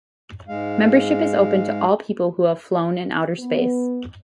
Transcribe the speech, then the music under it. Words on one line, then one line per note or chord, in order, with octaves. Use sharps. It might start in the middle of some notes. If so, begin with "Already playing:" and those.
Membership is open to all people who have flown in outer space.
G#2 G#3 F5
B3